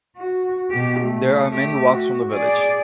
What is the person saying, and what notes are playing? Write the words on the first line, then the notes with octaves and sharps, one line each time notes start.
There are many walks from the village.
F#4
B2 G4
A3
A3 G4
F#4
G#4 D5